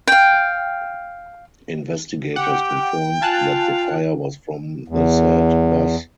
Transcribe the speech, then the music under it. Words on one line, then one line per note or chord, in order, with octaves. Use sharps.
Investigators confirmed that the fire was from the said bus.
F5 G5
G4 F#5 G5
F4 F5 G#5 A5 F#6
E2